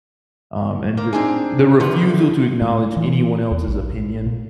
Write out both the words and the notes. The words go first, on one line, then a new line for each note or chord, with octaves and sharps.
Um, and just the refusal to acknowledge anyone else's opinion,
A#3
C4 D4 D#4 G#4
E2 D3 F3 B4
A2
E3
E2
A#1
A#2